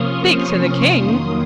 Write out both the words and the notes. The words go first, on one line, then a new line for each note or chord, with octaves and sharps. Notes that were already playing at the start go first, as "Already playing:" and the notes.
'Speak to the King!...
Already playing: C3 F3 A#3 C#4 C6 C#6 D#6 F6
C#6 F6
C6 D#6
F2 D#3 F#3 A#3 C6 D#6